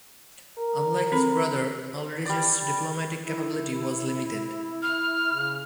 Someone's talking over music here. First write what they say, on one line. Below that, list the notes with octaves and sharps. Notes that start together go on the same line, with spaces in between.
Unlike his brother, Ulrich's diplomatic capability was limited.
A#4
C4 A4 B5
G3 D5
E4
F6
C#3